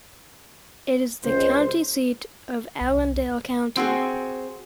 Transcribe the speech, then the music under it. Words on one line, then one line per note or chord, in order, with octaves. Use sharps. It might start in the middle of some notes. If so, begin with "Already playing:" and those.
It is the county seat of Allendale County.
C#2 C5
C2
C4 F#4 G#4